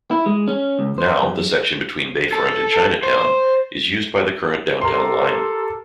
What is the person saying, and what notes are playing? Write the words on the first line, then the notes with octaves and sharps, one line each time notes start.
Now, the section between Bayfront and Chinatown is used by the current Downtown Line.
E4
G#3
C#4
C#2
C5
F#2
A4
C5
G4 A4 A#4 C6